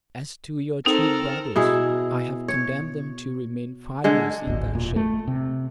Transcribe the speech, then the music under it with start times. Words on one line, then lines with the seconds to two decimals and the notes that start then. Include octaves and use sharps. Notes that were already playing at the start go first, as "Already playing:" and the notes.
As to your two brothers, I have condemned them to remain five years in that shape.
0.86 C4 D#4 A4 A#4
1.56 B2 E4 G#4
2.48 C#5
4.04 D3 G#3
4.47 D1 G#1
4.73 E1 A#2
4.96 A3
5.28 C3